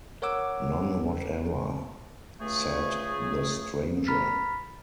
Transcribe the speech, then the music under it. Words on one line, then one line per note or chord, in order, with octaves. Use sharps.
"None whatever," said the stranger.
A#4 C#5 F#5 D6 E6
C#2 A3 G#4
A#5 B5 F6 A6 B6